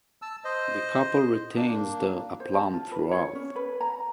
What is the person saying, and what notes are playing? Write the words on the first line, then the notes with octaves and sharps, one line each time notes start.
The couple retains their aplomb throughout.
A5 E6
C5 D#5
A#3 D4
C5
A5
F4
B4
C#5
C#4
B4
A#5